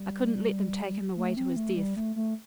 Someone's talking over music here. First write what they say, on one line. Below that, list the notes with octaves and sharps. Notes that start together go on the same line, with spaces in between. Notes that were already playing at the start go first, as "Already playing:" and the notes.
I couldn't let them take him away to his death.
Already playing: G3
A3
C4
A3
G3
A3
A3